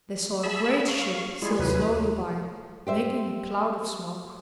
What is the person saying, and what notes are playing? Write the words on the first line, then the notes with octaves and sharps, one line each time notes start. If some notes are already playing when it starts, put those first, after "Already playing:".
They saw a great ship sail slowly by, making a cloud of smoke.
G#4 E5 A5 B5 E6
F5 C#6
G3 G#3 E4 F4 G#4
D#2 C3 E3 F#3 E4 B4
G4 C5 E5